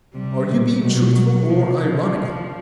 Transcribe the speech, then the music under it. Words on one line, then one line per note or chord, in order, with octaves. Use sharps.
Are you being truthful or ironical?
C3 G3
A#2
B2 F#3
C3 F3